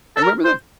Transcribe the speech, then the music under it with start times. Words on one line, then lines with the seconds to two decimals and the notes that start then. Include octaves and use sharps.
I remember the
0.16 A4
0.22 A#4
0.45 C5